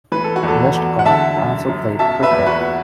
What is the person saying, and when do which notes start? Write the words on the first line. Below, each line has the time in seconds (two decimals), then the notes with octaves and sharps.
Westcott also played cricket.
0.12 E3 B4
0.24 A4
0.36 F#4
0.43 E2
0.48 A4
0.74 E2
0.99 F#5
1.05 D3 E5 A5
1.37 F#2
1.68 F#2
1.99 B2 E5 A5
2.23 B4 E5
2.31 E2
2.46 F#4 B4